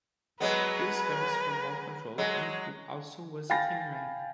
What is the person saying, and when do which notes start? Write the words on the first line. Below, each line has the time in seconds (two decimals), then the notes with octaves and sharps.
He was famous for ball control and also was a team man.
0.40 F#3 G#3 B3 B4
2.18 F#3 G#3
3.50 F5 G5 G#5 B5 A6 A#6